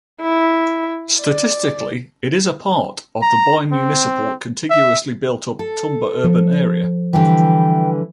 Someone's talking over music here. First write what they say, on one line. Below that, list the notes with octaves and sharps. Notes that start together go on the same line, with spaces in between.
Statistically it is a part of the bimunicipal contiguously built-up Tumba urban area.
E4
D5
A#5
C4
E5
A4
F3
D3 E3 G3 B4 G5